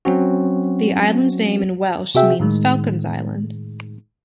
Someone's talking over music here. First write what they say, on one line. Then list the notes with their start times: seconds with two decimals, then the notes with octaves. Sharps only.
The island's name in Welsh means "falcon's Island".
0.05 F#3 C4 C#4 F#4
2.15 C3 F#4 G#4 E5 G5
2.40 A2 D#3 G#3